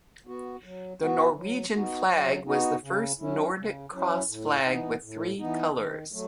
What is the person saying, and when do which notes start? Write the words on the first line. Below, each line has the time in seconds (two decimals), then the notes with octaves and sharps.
The Norwegian flag was the first Nordic cross flag with three colours.
0.27 B3 F#4
0.64 F#3
1.00 B3 F#4
1.36 F#3
1.74 B3 D#4 F#4
2.10 F#3
2.47 B3 D#4 F#4
2.83 C#3
3.19 F#3 C#4 E4
3.57 C#3
3.92 F#3 C#4 E4
4.29 A2
4.65 E3 B3 D#4
5.03 A2
5.39 E3 B3 D#4
5.75 D#3
6.12 F#3 A3